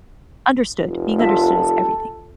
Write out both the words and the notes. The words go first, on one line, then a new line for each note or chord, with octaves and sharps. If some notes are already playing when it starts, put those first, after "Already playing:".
understood, being understood is everything.
F1
F4 A4 E5